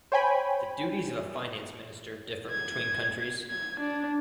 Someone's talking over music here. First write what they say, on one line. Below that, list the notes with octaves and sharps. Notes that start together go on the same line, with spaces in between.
The duties of a finance minister differ between countries.
C5 C#5 G5 G#5 B5
G#6
G#6
D4